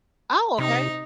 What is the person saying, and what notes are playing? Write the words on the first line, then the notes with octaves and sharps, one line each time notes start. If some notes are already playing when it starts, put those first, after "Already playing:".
Oh, okay,
C3 D#4